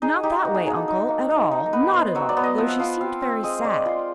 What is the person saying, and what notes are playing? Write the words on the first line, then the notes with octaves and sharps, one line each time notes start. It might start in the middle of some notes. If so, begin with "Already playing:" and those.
"Not that way, uncle, at all, not at all, though she seemed very sad."
D#4 G#4
D#4 G4
A#3 F#4
G#4
D#4 G#4
A4
D#4
A#3
D#4
D#4
A#4
B3 B4
B3 C5
F#3 C#5
D5
B3
D#5
F3 E5
F#5
F3 F5
C4 F5
C4
G#3 D#5
G#3 D5
F4 C5